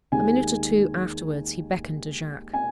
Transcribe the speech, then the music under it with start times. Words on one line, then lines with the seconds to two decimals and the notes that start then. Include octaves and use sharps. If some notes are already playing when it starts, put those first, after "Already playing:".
A minute or two afterwards, he beckoned to Jacques.
0.12 D#2 D#3 G#3 G#5
2.54 G#5